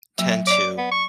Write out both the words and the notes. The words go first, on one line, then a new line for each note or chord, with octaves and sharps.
tend to,
F#3 A#3 E5
E5
C#5 D5 D6
B3
C#6